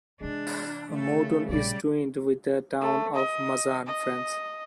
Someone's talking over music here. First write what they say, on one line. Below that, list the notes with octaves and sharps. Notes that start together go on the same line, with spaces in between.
Moudon is twinned with the town of Mazan, France.
C3 E3 G#3 D4
C#3 A3 A4
A#1 G3 G#3 D5
A3
D#5
D#5